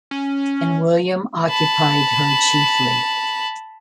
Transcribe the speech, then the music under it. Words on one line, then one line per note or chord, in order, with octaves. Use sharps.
And William occupied her chiefly.
C#4
A5 B5